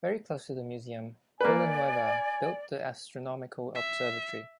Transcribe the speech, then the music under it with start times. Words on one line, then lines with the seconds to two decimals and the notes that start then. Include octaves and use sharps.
Very close to the museum, Villanueva built the Astronomical Observatory.
1.41 A#3 B4 D5 G#5
3.75 E5